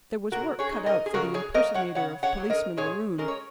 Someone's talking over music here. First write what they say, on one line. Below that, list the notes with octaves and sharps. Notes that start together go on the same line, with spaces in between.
There was work cut out for the impersonator of Policeman O'Roon.
A#2 F#4 A#4
G#4 C#5
G#3 D#4
A#4 D#5
G#4
C#3 F#4 A#4
G#4 C#5
F#3 A#3 A#4 D#5
C#5 F#5
C#3 C#5 F#5
C#5 F#5
F#3 A#3
A#4 D#5
A#2 G#4 C#5
G#3 C#4 A#4
C#5